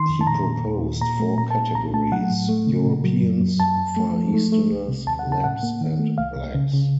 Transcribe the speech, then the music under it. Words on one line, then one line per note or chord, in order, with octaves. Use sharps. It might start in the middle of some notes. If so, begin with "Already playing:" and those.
He proposed four categories: Europeans, Far Easterners, Lapps, and Blacks.
Already playing: D#3 C6
F2
A5
A#2 A#5
A#2
D#2
D#2
A#2 A#5
A3
A#2 A#5
A5
A#2
C2 A#5
A3 A5
F#3 F#5
A2
A3
C#3
A#2
F#3
F#2
F#2
F#2 A5
F#2
A3
F3
A3
A3
C2
C3
D#2 A5
F#5
C#3
A5
A2 F#5
A#3
D#3
A3
C2 F5
C2
C#3
C#3